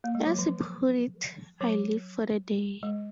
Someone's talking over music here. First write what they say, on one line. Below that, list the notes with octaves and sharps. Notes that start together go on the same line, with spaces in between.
As he put it, I live for the day.
A#3
G#3
F#3
F3
F#3
G#3